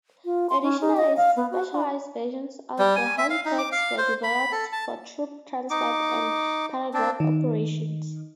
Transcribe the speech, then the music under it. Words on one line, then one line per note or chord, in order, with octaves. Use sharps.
Additionally, specialised versions of the Halifax were developed for troop-transport and paradrop operations.
F4
C6
C#4
D#4
D#5
F5
B3
F#4
D4
G3
G#5
E5
F5
D#4
D6
F5
C5
B5
A4
A5
D#4 D6
C4 D4
D#3